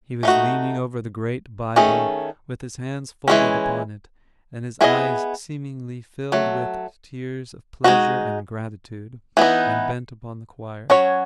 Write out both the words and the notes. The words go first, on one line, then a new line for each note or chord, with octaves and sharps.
He was leaning over the great Bible, with his hands folded upon it, and his eyes seemingly filled with tears of pleasure and gratitude, and bent upon the choir.
A3 D#4 F#4
D#3 A3 C#4 G#4
E3 G#3 C#4
B3 E4 G#4 B4 D#5
F#3 A3
G#3 D#4 F#4
E3 B3 D#4
F#3 C#4 F#4 C#5